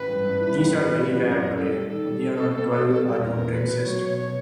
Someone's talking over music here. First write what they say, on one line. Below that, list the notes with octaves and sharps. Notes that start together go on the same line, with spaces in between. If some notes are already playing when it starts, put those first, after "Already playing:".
These are very rare today: only around twelve are known to exist.
Already playing: A1 B4
G2
G2
E3
A1
E3
E3
A1
F#2 B4
A#4
F#2
G3 A4
G3
D#3 A4
G3
C4
C4
A#3
B2
B2
G3
E2 A#4 B4
E2
B2 B4
B2
F#3 C#5
B2
B2 C#5